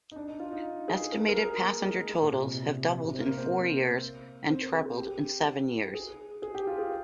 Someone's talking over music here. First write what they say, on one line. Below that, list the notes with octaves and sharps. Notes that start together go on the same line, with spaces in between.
Estimated passenger totals have doubled in four years and trebled in seven years.
D#4
D4
D#4
F4
D#4
G#4
A#4
A#4
G#4
A#3
G#3
G#3
A#2
C3
C3
C3
C4
A#3
C4
C4
A#4
G#4
G#4
G4
G#4
G#4
G4
F4
G#4